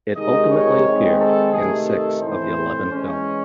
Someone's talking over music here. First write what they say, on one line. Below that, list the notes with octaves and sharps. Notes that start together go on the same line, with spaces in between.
It ultimately appeared in six of the eleven films.
C3 D#3 G#3 D#4 D#5
C#5
D#3 G#3 C4
A4
C3 D#3 A3 G#4
A4
A2 E3 C4 C5
E3 G#3 C#4